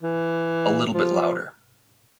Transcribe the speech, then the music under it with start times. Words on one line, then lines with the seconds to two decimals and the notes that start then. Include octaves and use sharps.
A little bit louder.
0.03 E3
0.94 F3